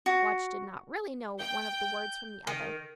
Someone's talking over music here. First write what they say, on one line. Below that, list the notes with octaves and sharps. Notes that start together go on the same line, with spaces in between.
Watch did not really know one of the words from the other.
F#4
G5 G6
D#3